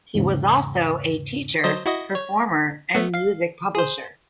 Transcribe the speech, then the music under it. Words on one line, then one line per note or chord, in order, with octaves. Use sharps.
He was also a teacher, performer, and music publisher.
E2 G#2 C#3
F#3 C5 D#5
E4 F#4 D#5
C#5
A3 B3
F5 C7
G#4 C5